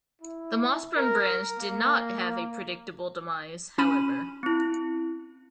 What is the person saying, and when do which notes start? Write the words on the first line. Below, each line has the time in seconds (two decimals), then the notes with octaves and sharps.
The Mossburn Branch did not have a predictable demise, however.
0.22 E4
0.96 A#4
1.59 A#3
3.78 C#4 B5 D#7
4.43 C4 E4